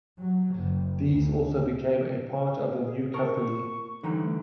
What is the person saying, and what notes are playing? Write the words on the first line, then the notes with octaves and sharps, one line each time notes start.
These also became a part of the new company.
F#3
F#1
D2
G#4
A#4 A5 C#6
D3 E3 G3 D#4
A3